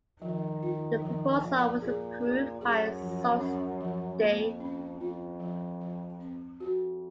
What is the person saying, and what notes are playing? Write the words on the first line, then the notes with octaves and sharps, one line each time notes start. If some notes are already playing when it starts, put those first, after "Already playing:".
The proposal was approved by Sault Ste.
D#3 F3
F4
D#3 F3
A#2 F3
A#2 G#4
G#4
F#2 G#4
F3
C#4
F3
F2 A#3
C#4
F2 F4
F3
F3
C4
F2 F#4